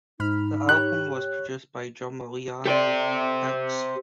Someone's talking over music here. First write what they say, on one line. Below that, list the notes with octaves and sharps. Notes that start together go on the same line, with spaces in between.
The album was produced by drummer Lionel Hicks.
G#2 D#4 B5 F6
G4 C#5 F#6
G4 A4 C5 D5